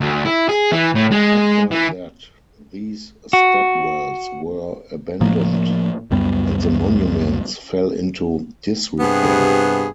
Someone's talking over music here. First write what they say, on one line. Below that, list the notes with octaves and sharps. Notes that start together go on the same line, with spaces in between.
After that, these stepwells were abandoned and the monuments fell into disrepair.
D2
E4
G#4
E3
A2
G#3
E3
F#4
A2 F3 A#3
C#2 F#2 G3 B3
G2 C3 B3 G#4